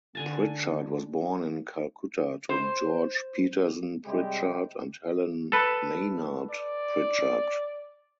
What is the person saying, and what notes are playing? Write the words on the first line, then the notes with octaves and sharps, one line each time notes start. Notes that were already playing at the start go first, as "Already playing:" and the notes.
Pritchard was born in Calcutta to George Petersen Pritchard and Helen Maynard Pritchard.
D3 G#5 A5
C5
C3 G3 G#3 G4
A4 B4
D5